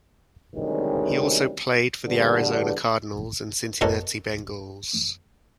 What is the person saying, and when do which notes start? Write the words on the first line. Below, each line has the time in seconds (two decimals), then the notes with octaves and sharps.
He also played for the Arizona Cardinals and Cincinnati Bengals.
0.55 D2 C3 D#3 G3 G#3 C#4
2.06 E2 G2 B2 D3
3.81 B2 A4 A#4 C#5